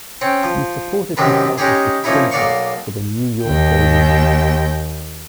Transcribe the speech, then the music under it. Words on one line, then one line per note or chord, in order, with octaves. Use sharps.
He supported himself as a printer for the New York Daily News.
C4 C#4
F3
C2 F#2 C3 D#3 B4 A5
G#3 C#4 D#4 G4 G#4
F3 A#3 C#4 D#4 E4
B1 A#3 D5 F5 C#6
D#2 G5